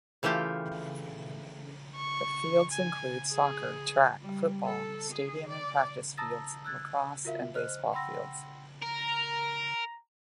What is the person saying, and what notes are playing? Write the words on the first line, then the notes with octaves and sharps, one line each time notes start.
The fields include soccer, track, football stadium and practice fields, lacrosse, and baseball fields.
C#3 E3 A3 F4 G4
C#6
G#5
G#4
G3
A4
G#4
D5
A5 A#5 D#6 E6 A6 A#6
E6 F#6 G#6 A6
F4 F#4 A#4 E5 F5
C5 D#5 F6 F#6
F#5 G5 B5 C6 E6 A#6
A#4 A#5